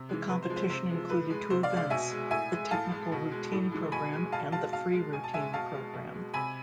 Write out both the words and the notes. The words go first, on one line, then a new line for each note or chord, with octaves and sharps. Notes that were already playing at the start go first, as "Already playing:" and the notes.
The competition included two events, the technical routine program and the free routine program.
Already playing: C3
E3 G#3
C3 B4
C5
F3 G#3
C5
C3 C5
F3 G#3
A2 B4
G#3
C3 C5
D5 F5
G#3
D5 F5
B2 E5 G#5
G#3
A2 E5 G#5
G#3
A2 F5 A5
G#3
B2
G#3
A2
E3 G#3
B2 G#5 B5
G#3
B2 F5 A5
G#3 F5 A5
B2 F5 A5
G#3
B2 G#5
A5
G#3 E5 G#5
B2 F5 A5
G#3
B2
G#3
C3 G#5 B5